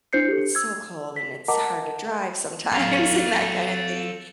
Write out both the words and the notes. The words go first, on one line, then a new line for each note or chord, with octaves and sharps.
it's so cold and it's hard to drive sometimes and that kinda thing.
D4 E4 C5 G6 C7 C#7
G4 A4
E6 G#6
B6
A#4 D#5 F#5 A5 A#5 D6
A4 F5